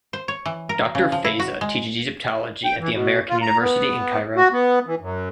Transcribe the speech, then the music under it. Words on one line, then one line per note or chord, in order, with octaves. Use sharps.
Doctor Fayza teaches Egyptology at the American University in Cairo.
C5
C#5
E3
A#4
C#3
F3
E4
F#4
G#3
G5
E3
B2
F4
A#5
B3
F#4
B3
E3
F#2